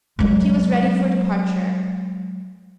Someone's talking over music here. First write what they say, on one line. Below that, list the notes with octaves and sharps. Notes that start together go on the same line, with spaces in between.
She was ready for departure.
F#3 G#3